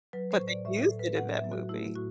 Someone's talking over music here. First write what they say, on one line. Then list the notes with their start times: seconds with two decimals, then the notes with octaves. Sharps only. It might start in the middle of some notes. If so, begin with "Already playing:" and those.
But they used it in that movie?
0.13 F#3 B4
0.31 C5
0.40 A2
0.48 D5
0.65 A2 E5
0.82 A4
0.91 A2
0.99 B4
1.17 A2 F#5
1.35 E5
1.44 F#3
1.52 F#4
1.69 A3 E4
1.95 A2 F#4